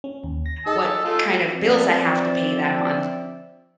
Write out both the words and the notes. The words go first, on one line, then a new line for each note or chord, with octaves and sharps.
what kind of bills I have to pay that month,
C#4
D#2
A#6
D#4 G#4 D#5 A5 E6
A3 F4 E6
F3 C4 D5 E5